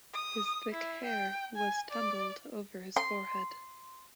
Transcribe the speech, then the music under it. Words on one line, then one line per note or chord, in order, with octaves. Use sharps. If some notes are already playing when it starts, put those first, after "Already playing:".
His thick hair was tumbled over his forehead.
D#6
E4
G5
G#5
D5
C6